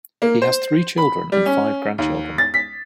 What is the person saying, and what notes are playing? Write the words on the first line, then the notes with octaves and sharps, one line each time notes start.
He has three children and five grandchildren.
A#3
C5
B5
G3
C#4
D#2
A6
B6